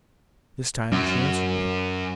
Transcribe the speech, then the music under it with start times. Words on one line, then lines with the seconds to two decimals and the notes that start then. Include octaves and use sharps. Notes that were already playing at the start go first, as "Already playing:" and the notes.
This time she answered me.
0.92 F#2